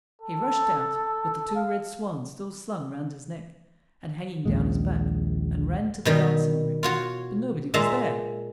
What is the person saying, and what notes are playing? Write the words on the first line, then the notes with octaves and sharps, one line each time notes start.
He rushed out, with the two red swans still slung round his neck and hanging down his back, and ran to the dancing ring, but nobody was there.
A4
F5
A#1 D#2 A#2 G#3
B2 D#3 G3
F4 F#4 C#5
A#2 G#3 E5 A5 A#5